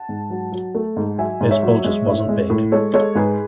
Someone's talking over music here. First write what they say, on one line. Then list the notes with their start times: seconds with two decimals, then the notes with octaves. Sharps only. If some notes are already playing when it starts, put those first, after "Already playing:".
Baseball just wasn't big.
Already playing: F#5 A5
0.09 G#2
0.30 F#3
0.52 F#3
0.75 A3
0.96 G#2
1.19 F#3 E5 G#5
1.40 G#2
1.51 C#5 E5
1.63 F#3
1.84 G#3
2.06 A2
2.28 G#3
2.50 A2
2.72 G#3 A4 C#5
2.94 G#3 A4 C#5
3.15 G#2 G#4 B4